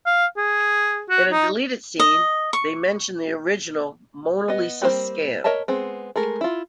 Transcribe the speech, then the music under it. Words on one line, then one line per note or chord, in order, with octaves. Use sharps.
In a deleted scene, they mention the original "'Mona Lisa" scam'.
F5
G#4
F#4
D#4
D#5
C#6
B3 D#5
G3 A#3 C4 F#4 C5
A#4 C#5 D#5 E5 A5
G#3 B3 C4
G#3 A3 A#4
E4 F4